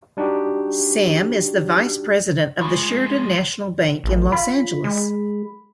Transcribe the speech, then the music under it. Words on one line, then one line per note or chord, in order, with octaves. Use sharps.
Sam is the vice president of the Sheridan National Bank in Los Angeles.
G3 D4 D#4 F#4 G4
F3 G#3 F4 B5 C#6
A1
F4 B5
G#3